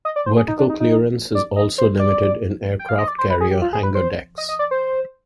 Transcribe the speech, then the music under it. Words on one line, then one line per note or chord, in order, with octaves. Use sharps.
Vertical clearance is also limited in aircraft carrier hangar decks.
D#5
D5
C5
G#4
D#4
D4
D#4
D#4
D5
D#5
C5
D5
G5
F5
D#5
D5
C5
B4
G#4
G4
F4
G#4
B4
C5
D#5
D#5
D5
C5